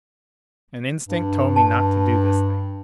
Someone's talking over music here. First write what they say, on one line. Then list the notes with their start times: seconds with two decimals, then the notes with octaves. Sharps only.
An instinct told me not to do this thing.
1.09 G2
1.56 A5